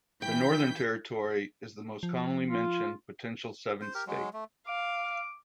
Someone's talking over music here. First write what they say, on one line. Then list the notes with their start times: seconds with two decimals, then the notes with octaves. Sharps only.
The Northern Territory is the most commonly mentioned potential seventh state.
0.22 E3 G5 G6 B6
2.03 F3
2.48 F4
3.81 C5
3.94 G4 A#4
4.07 F#3 G#3
4.33 A3
4.67 F5 D6